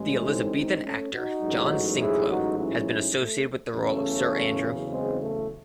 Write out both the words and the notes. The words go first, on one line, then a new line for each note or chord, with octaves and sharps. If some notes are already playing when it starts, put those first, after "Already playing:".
The Elizabethan actor John Sinklo has been associated with the role of Sir Andrew.
Already playing: A1 A2 G#3
C4 D#4
C4 D#4
A3 C#4
D#4 F#4
A1 G#2 F#3
E4 G#4
D#4 F#4
C#4 E4
A3
F#1 E2 C#3 A3 C#4
G#3 C4
A3